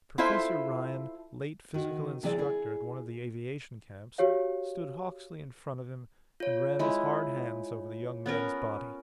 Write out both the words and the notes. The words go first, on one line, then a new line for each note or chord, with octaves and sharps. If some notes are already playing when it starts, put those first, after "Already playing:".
Professor Ryan, late physical instructor at one of the aviation camps, stood Hawksley in front of him and ran his hard hands over the young man's body.
E4 F4 A4 C5 E5
D#3 F#4
C3 E3 C4 G#4 D5
E4 G#4
F#4 G4 C#5 F5
F4 C#5
G#3 E4
B3 C#4 A#4